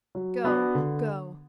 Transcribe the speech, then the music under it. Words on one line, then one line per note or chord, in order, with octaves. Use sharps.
Go! go!
F#3
B3 D4 F#4
D3